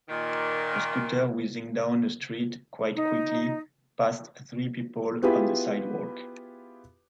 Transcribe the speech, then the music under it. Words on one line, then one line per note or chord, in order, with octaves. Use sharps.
A scooter whizzing down a street quite quickly past three people on the sidewalk.
A#2 D#3
D#4
B3 E4 F4 G4 G#4 B4